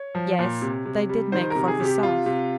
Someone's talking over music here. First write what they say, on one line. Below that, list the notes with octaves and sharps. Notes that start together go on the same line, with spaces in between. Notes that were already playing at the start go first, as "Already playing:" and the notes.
Yes, they did make for the south!
Already playing: C#5
F3
A#2
C3
C3
G3
D#3 C5
C3 A#4
G#4
C3
G4
C3 F4
C3